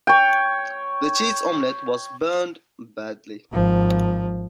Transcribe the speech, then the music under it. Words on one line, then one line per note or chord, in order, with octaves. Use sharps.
The cheese omelette was burned badly.
C#5 G5
G#1 F3